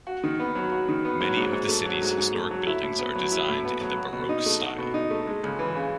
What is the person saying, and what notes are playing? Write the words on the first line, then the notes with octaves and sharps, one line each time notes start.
Many of the city's historic buildings are designed in the Baroque style.
F#4
D#3
B3
F#3
F#4
D#3
B3
F#3
G#2
G#2
A3
F#3
G#2
G#2
A3
F#3
E4
A2
B3
F#3
E4
A2
B3
F#3
F#4
B2
D#4
A3
F#4
B2
D#4
A3
G#3
C#2
E3
C#3